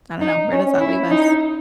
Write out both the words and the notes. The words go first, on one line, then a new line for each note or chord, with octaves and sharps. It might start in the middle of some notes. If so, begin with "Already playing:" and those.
I don't know, where does that leave us?
D#4
C#4
E4
D#4